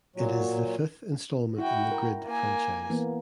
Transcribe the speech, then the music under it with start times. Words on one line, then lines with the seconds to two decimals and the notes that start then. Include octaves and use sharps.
It is the fifth installment in the "Grid" franchise.
0.16 A#2 F#3
1.58 E4 F#4 G5
1.91 A#4
2.26 A#3 G#5
2.90 E3 A#3 B3